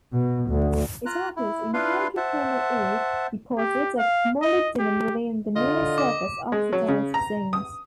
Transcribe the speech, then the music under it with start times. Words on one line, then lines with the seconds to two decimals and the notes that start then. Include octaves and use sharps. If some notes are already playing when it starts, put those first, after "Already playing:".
It occurs in hydrothermal ore deposits of molybdenum within the near surface oxidized zones.
0.13 B2
0.50 D2
1.06 F4 A#5 F#6
1.36 E4
1.74 D4 E4 F4 B4 F5 C6
2.17 C5 E5 F#5 A5
3.58 G4
3.98 F5
4.42 D#5
4.79 G4
5.56 D3 F4 D#5
5.98 D6
6.52 G#3
6.73 F#3
6.88 C#3
7.14 A#5
7.53 D#6